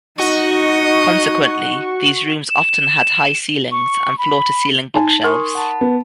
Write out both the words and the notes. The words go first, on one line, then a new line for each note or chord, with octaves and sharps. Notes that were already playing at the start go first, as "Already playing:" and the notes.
Consequently, these rooms often had high ceilings and floor-to-ceiling bookshelves.
D#4 F#4 D#5 C#6
E7
C#6
B5
D#4 G#5 A5
A#4 C6 C#6 D#6
F#5 A5 B5
B3